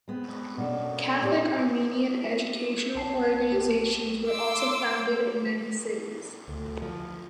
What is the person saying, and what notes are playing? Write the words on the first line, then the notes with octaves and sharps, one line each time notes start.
Catholic Armenian educational organizations were also founded in many cities.
G#3 B3 C4
B2 A#3 C#4 D4 A4
B3 D4 E4 G4 A#4 C5
B1 A5 C7
G4
C6 D6 E6
D2
F3